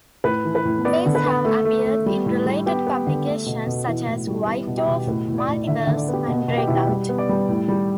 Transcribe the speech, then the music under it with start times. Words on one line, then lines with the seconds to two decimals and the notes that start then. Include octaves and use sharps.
These have appeared in related publications such as "White Dwarf", "Multiverse" and "Breakout!".
0.24 A2 B4
0.45 E3
0.55 B4
0.65 A2
0.85 B3 D5
1.06 D3
1.15 B4
1.26 B3
1.45 A3 A4
1.65 A3
1.86 A3
2.06 G3
2.26 A2
2.46 G3
2.66 B3 G4
2.87 B3
3.07 D3
3.27 A3
3.46 B2
3.67 B2
3.87 E3
4.07 A2
4.27 G3
4.46 B3 E4
4.67 B2
4.77 G4
4.88 B2
5.07 A2 B4
5.28 A2
5.38 D5
5.48 A2
5.67 D3 E5
5.83 E5
5.87 D3
5.97 D5
6.09 B3 G4
6.28 B2
6.48 B2
6.58 G4
6.67 B2 E4
6.76 G4
6.89 G3
7.09 B3
7.18 D5
7.29 G3
7.48 A2
7.68 G3